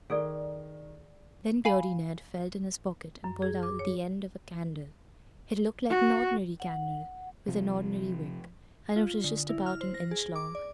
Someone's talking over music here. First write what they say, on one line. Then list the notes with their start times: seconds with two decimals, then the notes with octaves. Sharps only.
Then Beardy Ned felt in his pocket and pulled out the end of a candle. It looked like an ordinary candle, with an ordinary wick, and it was just about an inch long.
0.10 D#3 G#4 A4 D5
1.65 F5 G#5 B5
3.24 F#2
3.42 G#4
3.63 D6
3.79 C#5
5.90 F#4
6.60 F#5
7.48 C3 F3
8.96 F4
9.24 D3
9.49 E4
9.66 F6
9.81 C5
9.94 A#6
10.11 G#4
10.36 D6
10.55 D5